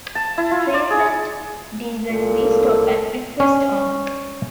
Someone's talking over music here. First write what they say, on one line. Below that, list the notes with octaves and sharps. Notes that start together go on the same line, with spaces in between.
Trains at Deganwy stop at request only.
A5
E4
F4
D5
G#4
C2 A#2 A4
C#4